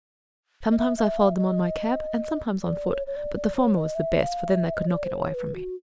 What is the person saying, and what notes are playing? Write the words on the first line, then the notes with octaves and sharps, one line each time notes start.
Sometimes I followed them on my cab, and sometimes on foot, but the former was the best, for then they could not get away from me.
D#5
E5
E5
F5
E5
D#5
D5
C#5
C#5
D5
D5
C#5
D#5
E5
F5
E5
D#5
C#5
D5
C5
C#5
B4
F#4